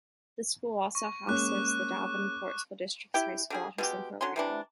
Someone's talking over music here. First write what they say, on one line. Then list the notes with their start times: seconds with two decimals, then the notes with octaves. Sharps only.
The school also houses the Davenport School District's high school autism program.
0.95 C#6
1.27 G#3 A#3 C#4 D6 F#6
3.14 E4 G4 G5
3.50 D3 G3 G#4
3.78 B2 G#3 G4
4.21 D3 F#3 C#4 C6
4.36 C3 E3 D4